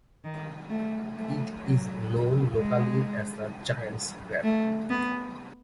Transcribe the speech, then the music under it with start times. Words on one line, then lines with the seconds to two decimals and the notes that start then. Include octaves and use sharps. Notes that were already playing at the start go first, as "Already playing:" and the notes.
It is known locally as "the giants grave".
0.24 D#3
0.70 A3
1.17 A3
1.63 F#3
2.57 G#3
4.44 A3
4.90 B3